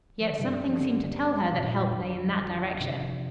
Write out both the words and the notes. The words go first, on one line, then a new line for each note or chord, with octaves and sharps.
Yet something seemed to tell her that help lay in that direction.
F3
D3
G2 C3 G3 D4
F3
D3
C3
F2 A#2 D3 F3 D4
G2 C3 F3 D4